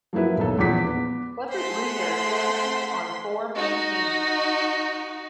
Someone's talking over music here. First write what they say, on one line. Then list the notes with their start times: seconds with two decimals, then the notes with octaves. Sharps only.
Clifford’s research focuses on four main themes.
0.13 F3 F#3 A#3 E4 B4
0.37 D#1 B1 A4
0.58 A#1 E2 F3 D6 B6
0.87 B3
1.51 A3 G#4 C5 F#5 C6 B6
3.55 D#4 F#4